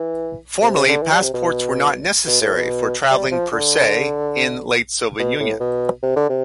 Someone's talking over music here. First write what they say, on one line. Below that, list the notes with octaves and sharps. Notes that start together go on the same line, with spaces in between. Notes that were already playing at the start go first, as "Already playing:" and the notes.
Formally, passports were not necessary for traveling per se in late Soviet Union.
Already playing: E3
C3
C3
D3
E3
G3
C3
B2
B2
A2
B2
G3
F3
D3
B2
A2
B2
C3
D3
C3